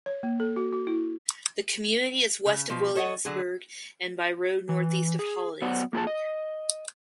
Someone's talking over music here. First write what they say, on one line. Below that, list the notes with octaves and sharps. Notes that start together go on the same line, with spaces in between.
The community is west of Williamsburg and by road northeast of Hollidaysburg.
C#5
A#3
A4
F#4
F#4
E4
C#3
B2 F3
A4 C#5 D#5 F5 F#5
D3 F#3 G#4
E3
G#4
F#3 B3 C5 D5 F#5
A#3 F4 G#4 A5
D#5